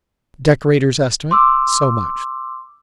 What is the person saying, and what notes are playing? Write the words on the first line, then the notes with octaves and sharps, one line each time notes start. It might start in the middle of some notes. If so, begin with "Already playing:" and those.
Decorator's estimate, so much.
C6 D6 E6